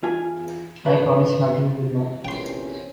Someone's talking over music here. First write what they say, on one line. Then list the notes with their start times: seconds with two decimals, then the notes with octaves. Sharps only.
I promise nothing, you know.
0.03 E2 F4 G#5
0.85 B1 G#2 B4 E5 B5
2.25 A#1 E2 C3 C#4 C5 G5 C6